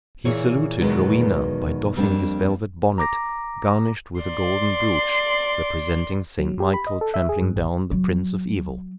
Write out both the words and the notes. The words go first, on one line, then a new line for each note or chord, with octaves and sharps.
He saluted Rowena by doffing his velvet bonnet, garnished with a golden broach, representing St Michael trampling down the Prince of Evil.
A#2 E3 G#4 C#5
E2 B2 D#3 F#3 G#3 B3
F2 G3 A#3 B3 D4
A#5 D6 A#6
D5 C6
F#3
G4
B5
D#5
A4
E5
G#4
G2
G#1
F#3